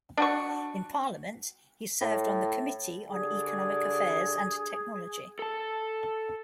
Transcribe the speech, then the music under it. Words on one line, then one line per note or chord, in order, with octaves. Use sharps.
In parliament, he served on the Committee on Economic Affairs and Technology.
D4 F#4 C#6
A2
D3 G4 G#4 D5
A4 A5